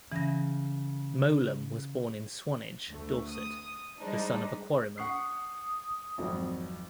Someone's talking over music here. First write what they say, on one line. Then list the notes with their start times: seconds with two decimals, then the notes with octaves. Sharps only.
Mowlem was born in Swanage, Dorset, the son of a quarryman.
0.12 C#3 E3 A#6
2.88 D2 A3
3.29 D#6
3.99 G3 G#3 D4 D#4 C5
4.98 F#5 C#6 D#6 C7
6.18 G#1 F2 F#3